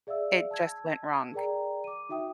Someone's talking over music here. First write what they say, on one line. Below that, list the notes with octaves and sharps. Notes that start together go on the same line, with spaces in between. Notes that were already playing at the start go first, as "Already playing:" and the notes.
it just went wrong,
G#4 D5 E5 F5 E6
A5 E6 G#6
G#4 A#4 D5 G5 A#5
D6 D#7
D#4 F#4 E5 G5 D#6